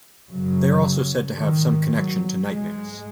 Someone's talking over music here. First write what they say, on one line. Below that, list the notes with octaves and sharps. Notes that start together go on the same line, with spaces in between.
They are also said to have some connection to nightmares.
F#2 C#3 F#3
G#2 D#3
F#3
G#2 G#3